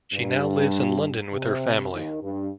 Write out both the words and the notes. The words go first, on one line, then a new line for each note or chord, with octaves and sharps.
She now lives in London with her family.
G2
C3
D#2 D#3
G2